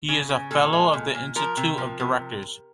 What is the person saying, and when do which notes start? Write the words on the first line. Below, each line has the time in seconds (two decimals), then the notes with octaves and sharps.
He is a Fellow of the Institute of Directors.
0.08 C#3
0.30 C#3
0.51 A#2 A4
0.73 G#3
0.93 A#2
1.14 A#2
1.36 F3 A#4
1.57 C3
1.78 F3
2.00 C3